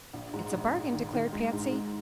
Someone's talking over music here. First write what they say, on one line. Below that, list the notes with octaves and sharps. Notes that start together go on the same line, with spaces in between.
"It's a bargain," declared Patsy.
A#1
G#2
A#1
A#1
D#3
D#3
G#3
G#2
G#3